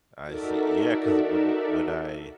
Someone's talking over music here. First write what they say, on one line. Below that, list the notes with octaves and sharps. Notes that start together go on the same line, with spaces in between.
I see. Yeah, 'cause when you when I
D#4 F#4 A4 A#4 D5 E5